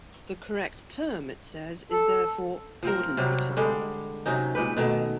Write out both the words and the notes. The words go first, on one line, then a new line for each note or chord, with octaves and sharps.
The correct term, it says, is therefore "Ordinary Time".
A4
F3 C4 A#4
C3 F#3 G3
D3 G3 G#3
C3 F#3 C#4 D#4
A#2 G#3 G4 B4
B2 D#3 A3